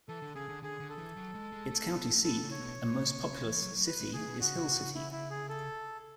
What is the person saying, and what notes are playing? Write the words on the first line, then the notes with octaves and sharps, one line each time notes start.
Its county seat and most populous city is Hill City.
E3 A4
D3
C#3 G#4
D3
D3 G#4
D3
A4
E3
F#3
G#3
G#3
A3
B3
A3
B3 A4
C#3
C#5
B2
B2
C#3
C#3
C#3
E3
F#3
F#3
B4
G#3
A3 G#4
B2
C#3 F#4
C#3
C#3
E4
E4
G#4
A4